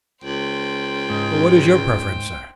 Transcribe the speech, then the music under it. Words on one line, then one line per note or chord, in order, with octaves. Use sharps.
"What is your preference, sir?"
C#2 C5 G5
G#2